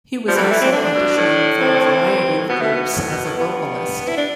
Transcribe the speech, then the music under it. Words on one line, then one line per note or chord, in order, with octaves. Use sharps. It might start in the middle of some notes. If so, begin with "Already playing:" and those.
He was also auditioning for a variety of groups as a vocalist.
F3 G3
E3
D3 G3
E3 A3
C4
D3 D4
B2
A2
C4
G2
G2
G2
A2
B2 B3
A3
B3
A2
B2
A2
G2 B3
E4
D4